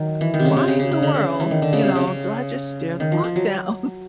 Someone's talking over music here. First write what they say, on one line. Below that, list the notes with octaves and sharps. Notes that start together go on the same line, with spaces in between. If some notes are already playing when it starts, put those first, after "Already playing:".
why in the world, you know, do I just stare the clock down?"
Already playing: D#3 F#3
E3
D#3
C3
C#3
C3
C#3
C#3
C#3
D3
C#3
E3
D#3
D3
C#3
C3
C#3
C#3
D#3
F3
F3
F#3